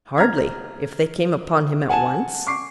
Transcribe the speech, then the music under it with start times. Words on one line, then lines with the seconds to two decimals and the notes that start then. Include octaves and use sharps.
Hardly, if they came upon him at once.
0.18 A#5 F6 G#6
1.89 F#5 G#5 A5 E7
2.47 C#6 D6 C7